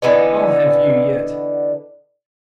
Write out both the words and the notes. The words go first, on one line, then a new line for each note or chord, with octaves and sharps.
"I'll have you yet."
D3 E3 B3 D#4